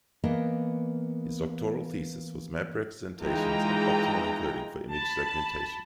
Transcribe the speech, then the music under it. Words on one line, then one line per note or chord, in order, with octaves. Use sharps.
His doctoral thesis was "Map Representations and Optimal Encoding for Image Segmentation".
E3 A#3 B3 A#4 D#5
E3 G#3 D#4 F4 G5 A#5
A5 B5